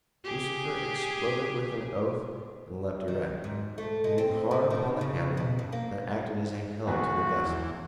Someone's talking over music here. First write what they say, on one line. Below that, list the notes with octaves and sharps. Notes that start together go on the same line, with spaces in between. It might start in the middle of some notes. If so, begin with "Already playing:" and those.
Lucifer exploded with an oath and leapt erect, leaning hard upon the handle that acted as a helm to the vessel.
G4 G#4
D#3
G#2
A3
G#3
C4
A2
D#3
C#3
B2
G2
A#3
D2 G#2 B2 F#4
E2